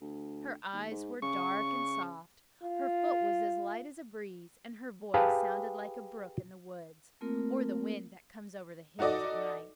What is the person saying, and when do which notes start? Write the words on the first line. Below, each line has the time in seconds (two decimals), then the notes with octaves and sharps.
Her eyes were dark and soft, her foot was as light as a breeze, and her voice sounded like a brook in the woods, or the wind that comes over the hills at night.
0.01 D2
0.73 D#2
0.91 G#2
1.22 C#3 C#6
2.63 F4
5.14 G4 G#4 B4 F5 A5
7.21 A3 A#3 C4 F4 A#4
8.99 D#4 F#4 A4 D5 D#5